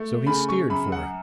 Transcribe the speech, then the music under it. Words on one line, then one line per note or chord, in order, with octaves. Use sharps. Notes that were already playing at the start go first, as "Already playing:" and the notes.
So he steered for it.
Already playing: A3
C#3 B5
C#6
F#2 B5
F#5